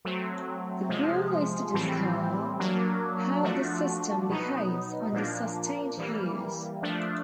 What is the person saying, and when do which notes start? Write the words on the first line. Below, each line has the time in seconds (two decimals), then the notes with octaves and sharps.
The goal is to discover how the system behaves under sustained use.
0.05 F#3 A3 C4
0.89 C3 F3 G#3
1.74 A2 E3 G3 C4
2.59 F#3 A#3 D4
3.43 F3 A3 D4 F#4
4.29 B2 F#3 B3 D#4
5.13 A#2 F3 A#3 D4
5.98 E3 G3 A#3
6.82 F3 A3 D4